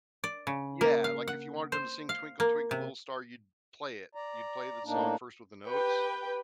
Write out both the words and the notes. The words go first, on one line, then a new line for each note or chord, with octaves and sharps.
Yeah, like if you wanted him to sing Twinkle Twinkle Little Star, you'd play it. You'd play the song first with the notes
D5
C#3
A#3
F5
F#5
C5
F5
A#3
C3
D5 A#5
A2 A#3 D4 D#4
G4 B4 G5